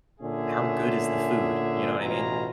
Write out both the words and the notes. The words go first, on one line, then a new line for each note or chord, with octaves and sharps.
How good is the food? You know what I mean?
A#2 D3 C#4 G#4 E5
A1 B2 F4 G#4 A#5